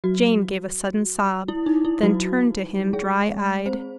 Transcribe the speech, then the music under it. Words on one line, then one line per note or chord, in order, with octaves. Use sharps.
Jane gave a sudden sob; then turned to him, dry-eyed.
F#3 F#4
E4
D#4
E4
F#3 F#4
G#3 G#4
C4 C5